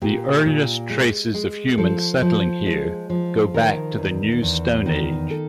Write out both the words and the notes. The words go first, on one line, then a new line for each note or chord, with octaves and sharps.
The earliest traces of humans settling here go back to the New Stone Age.
A#2 G4
A#2
G#3
G#3
F3 A4
F3
G#3
F3
D#3 A#4
E2
E2
D#3
A4